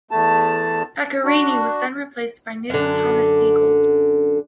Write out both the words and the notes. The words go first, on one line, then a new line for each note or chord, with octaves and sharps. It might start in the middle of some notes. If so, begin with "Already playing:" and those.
Pecorini was then replaced by Newton Thomas Sigel.
E2 A3 A5
D4 F#4
F#2 D3